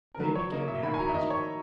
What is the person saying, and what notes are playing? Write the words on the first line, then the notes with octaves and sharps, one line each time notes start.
They begin haphazard.
A#4
F#3 B4
C#5
A#3 D#5
E5
D#3 B5
G#5
A#5
E5
D#3 D#5
C#5